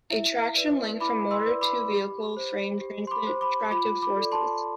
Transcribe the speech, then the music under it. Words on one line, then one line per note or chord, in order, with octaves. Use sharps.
A traction link from motor to the vehicle frame transmits tractive forces.
E4 E5
B4 D5
E4 B5 D6
C6 E6
B4 D5
B5 D6
G4
C5
G4
C6
B5 D6
C5
B5 D6
F4 B5 D6
B5 D6
A4 D5
A5 C6